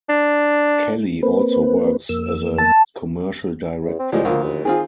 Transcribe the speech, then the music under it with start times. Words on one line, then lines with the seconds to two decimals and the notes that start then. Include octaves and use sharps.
Kelly also works as a commercial director.
0.09 D4
1.23 A#3 C4 B4
2.09 F2 A#3 E6
2.58 A5
3.84 E2
3.99 C4
4.12 A2 F3 G3 G#3
4.25 D2 F3 A#3
4.44 D#2
4.65 D#3 C4 F4 G#4